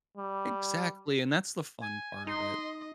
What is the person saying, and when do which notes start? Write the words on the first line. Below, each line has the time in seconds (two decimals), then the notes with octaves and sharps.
Exactly, and that's the fun part of it.
0.17 G3
1.81 G#5
2.27 D#4 D#5 C6